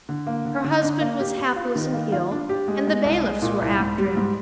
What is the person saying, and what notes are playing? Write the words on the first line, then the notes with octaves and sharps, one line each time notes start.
Her husband was helpless and ill, and the bailiffs were after him.
D3
A#3
D3
D3
D4
A#3
G4
G4
F4
D#3
A#3
F4
D4
G4
G#3
G#3
C2
G#3
A#2
C2
G#2
G3
G#2